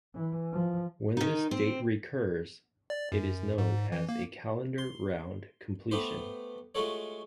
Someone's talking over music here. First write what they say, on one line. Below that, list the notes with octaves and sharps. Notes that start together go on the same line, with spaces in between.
When this date recurs it is known as a Calendar Round completion.
E3
F3
D#3 D#4
C4
D5
F#2
G#2
E3
A#3
C6
A3 B3 G4 B4 C5
G#3 A3 F4 F#4 A4 C#5